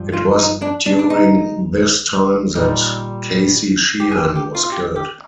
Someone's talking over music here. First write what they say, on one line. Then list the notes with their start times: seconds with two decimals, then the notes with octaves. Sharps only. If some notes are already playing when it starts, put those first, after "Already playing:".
It was during this time that Casey Sheehan was killed.
Already playing: G2 F3
0.13 F4
0.39 D#4
0.62 D4
0.86 D4
0.99 D4
1.10 D#4
2.55 A#2 G3 D#4
4.00 G4
4.12 G#4
4.18 G4
4.36 G4
4.55 F4
4.65 F4
4.72 G4
4.96 G4